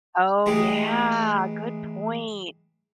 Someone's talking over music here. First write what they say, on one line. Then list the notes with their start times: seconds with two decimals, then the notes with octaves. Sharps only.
Oh, yeah, good point.
0.46 E3 G#3 A3 D#4 G4 G#4